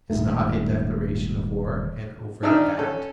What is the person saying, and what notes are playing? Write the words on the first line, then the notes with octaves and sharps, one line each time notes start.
Is not a declaration of war an overt act?
D#1 D#2 G#2 A3
D#3 D4 D#4 E5 E6 F6
C#4 A4